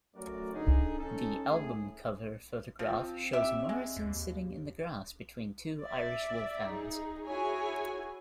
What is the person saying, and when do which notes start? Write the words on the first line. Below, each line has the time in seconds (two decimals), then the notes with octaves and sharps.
The album cover photograph shows Morrison sitting in the grass between two Irish Wolfhounds.
0.14 F#2 F#3 A3 F#4 A#4 D5
0.53 D3 D#4 G#4
0.97 C#4 D#4 A4
1.48 A2 D3 A3 G#4
2.79 F3 C4
3.33 G4 E5
3.69 G#3
3.97 D#2
5.83 D5 E5
6.69 D#4 G#4
7.26 E4 F#4 G#4 C#5 G#5